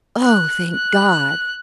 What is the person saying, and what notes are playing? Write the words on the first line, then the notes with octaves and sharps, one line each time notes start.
Oh, thank God!
F#6
F#6